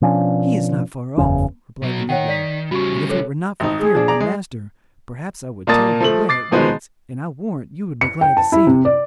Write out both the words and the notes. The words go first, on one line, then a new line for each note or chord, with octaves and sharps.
"He is not far off," replied the negro; "and if it were not for fear of my master, perhaps I would tell you where at once, and I warrant you would be glad to see him."
B2 F3 C#4 D4
F#1 E2 C#3 C#4
B2 F#3
D#3 C#5 F#5 G5
D5 B6
C#3 G3 F#4 C#6
A4 C#5
G#1 D#4
G#4
F3 D4
D5 A#5
G#3
A#2 A#3 D5 A5 D#6 A6
F3 A3 F#7
D6 A6 C7
B2 D#3 F3 G#3 B3
C#7
G5
A5
E4
C3
D5